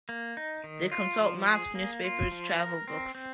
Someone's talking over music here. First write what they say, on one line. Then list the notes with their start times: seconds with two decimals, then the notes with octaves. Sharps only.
They consult maps, newspapers, travel books.
0.09 A#3
0.37 D#4
0.64 D#3
0.92 F4
1.20 F3
1.48 G#4
1.75 A#3
2.04 F4
2.32 F3
2.59 A#4
2.88 C4
3.15 C4